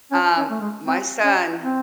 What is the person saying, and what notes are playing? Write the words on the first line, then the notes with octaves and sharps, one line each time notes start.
um, my son,
C#4
C#4
A3
G#3
C4
C#4
C4